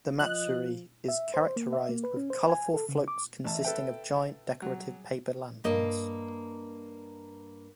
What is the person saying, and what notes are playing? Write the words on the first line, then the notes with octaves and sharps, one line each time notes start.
The matsuri is characterized with colourful floats consisting of giant, decorative paper lanterns.
F3 D#5 F#6
E5
C5
A#3
E5
A#3
B4
C#4
C5
G#5
A4
C#3
D6
A1 E5 A5
A4 B4 G5
F#3 G3 G#4
G2 A#3 D#5